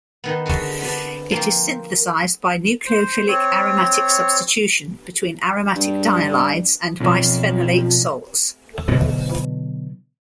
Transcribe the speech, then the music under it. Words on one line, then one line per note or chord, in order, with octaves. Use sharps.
It is synthesized by nucleophilic aromatic substitution between aromatic dihalides and bisphenolate salts.
D#3 B3
D3 G#3 F#4
B3 D4
F3 A#3 C4
C5
C4 C#5
G2
B1 F2 F3
B2 D3 E3 F#3